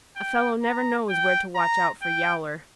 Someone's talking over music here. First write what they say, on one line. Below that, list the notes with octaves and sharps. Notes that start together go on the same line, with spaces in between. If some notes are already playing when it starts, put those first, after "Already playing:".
A fellow never knows where to watch out for Yowler.
G5
A#5
G5
A#5
G5